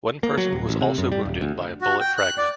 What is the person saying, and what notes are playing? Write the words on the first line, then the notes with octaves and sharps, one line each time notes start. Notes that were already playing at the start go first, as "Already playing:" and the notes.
One person was also wounded by a bullet fragment.
A#3
F#3
D1
A1
C3
F#2
G3
D#1
D2
F#4
G5
F#6
D5